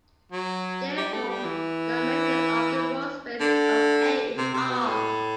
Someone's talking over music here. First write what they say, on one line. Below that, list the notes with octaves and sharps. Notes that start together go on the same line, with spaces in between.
Therefore, the dimension of the row space of "A" is "r".
F#3
G3
A3
G3
E3
D3
C3
C3
B2
A2